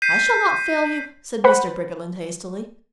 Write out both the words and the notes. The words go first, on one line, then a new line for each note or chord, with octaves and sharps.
"I shall not fail you," said Mr. Briggerland hastily.
G6 B6 C7 D#7
B4 C5 F#5 B5